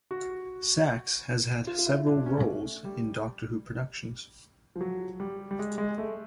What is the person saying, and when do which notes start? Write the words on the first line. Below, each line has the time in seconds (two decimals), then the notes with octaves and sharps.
Sachs has had several roles in "Doctor Who" productions.
0.11 F#4
1.67 F4
1.78 F4
1.87 E4
2.07 D4
2.26 C#4
2.46 A3
2.85 G3
4.76 F3
4.81 F#3
5.20 G3
5.51 G3
5.59 G#3
5.78 G#3
5.98 A3